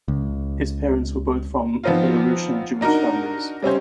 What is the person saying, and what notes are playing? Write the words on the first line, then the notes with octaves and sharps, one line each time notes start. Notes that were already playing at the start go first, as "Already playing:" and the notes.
His parents were both from Belarusian Jewish families.
C#2
F3 B3 C4 D#4 F4
D4 D#4 F#4 A#4
G3 C4 C#4 C5